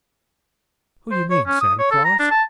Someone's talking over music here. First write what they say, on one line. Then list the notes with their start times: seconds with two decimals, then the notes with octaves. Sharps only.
"Who you mean--Santa Claus?"
1.11 C5
1.30 C#5
1.47 C#4
1.61 D#6
1.79 C#5
1.91 A4
2.05 A#5
2.19 D4
2.31 A5